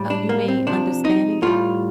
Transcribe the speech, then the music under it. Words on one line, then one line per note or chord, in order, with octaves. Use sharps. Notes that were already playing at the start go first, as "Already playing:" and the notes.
Oh, you mean understanding it?
Already playing: A2 G3
D4
A#3
C4
C3 F3 D4
D#4
A2 G3 F4